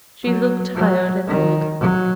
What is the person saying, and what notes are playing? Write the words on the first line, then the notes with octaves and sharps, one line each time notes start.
She looked tired and old.
F#3
F#3
D#3
F#3